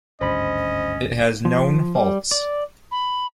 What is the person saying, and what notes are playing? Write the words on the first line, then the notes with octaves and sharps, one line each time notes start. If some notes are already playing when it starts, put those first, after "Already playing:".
It has known faults.
G#1 D2 G2 C#4 C5 D#5 B5
F3
G3
D5
B5